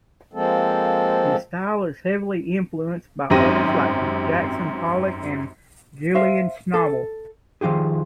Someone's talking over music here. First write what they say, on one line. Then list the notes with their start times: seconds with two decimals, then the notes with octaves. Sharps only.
His style is heavily influenced by artists like Jackson Pollock and Julian Schnabel.
0.33 F3 G#3 A#3 C4 A4
3.30 G#1 F#2 C4 G4 A#6 D#7
6.15 C5 E5 F5
6.74 A4
7.61 D#3 F3 F4 G4 G#4